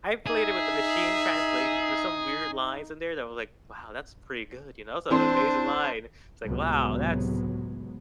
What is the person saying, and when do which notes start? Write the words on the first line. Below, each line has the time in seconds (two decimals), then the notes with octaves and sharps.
I've played it with the machine translations. There's some weird lines in there that I was like, "Wow, that's pretty good, you know, it's an amazing line." It's like, "Wow, that's
0.27 D#4 G#4 E5
5.10 E3 C4 D4 C5 C6
6.43 C#2 A2 C3 F#3 G#3 B3